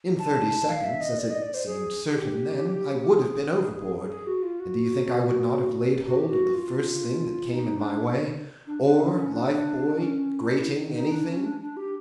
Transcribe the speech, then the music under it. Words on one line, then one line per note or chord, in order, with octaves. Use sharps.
In thirty seconds, as it seemed certain then, I would have been overboard; and do you think I would not have laid hold of the first thing that came in my way--oar, life-buoy, grating--anything?
A5
F5
E5
D#5
D5
D#5
D5
C5
G#4
G4
G#4
G#4
F#4
F4
F#4
F#4
G4
F#4
F4
D#4
D4
D4
D4
C#4
C#4
D4
D4
C#4
F4
E4
D#4
D4
C#4
D4
D4
G4